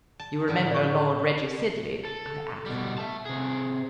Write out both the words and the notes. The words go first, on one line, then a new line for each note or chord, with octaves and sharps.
"You remember Lord Reggie Sidley?" I asked.
A5
A2 D3 E4
D5 C#6
A4
B2 G3
E5 A5
C3 G#4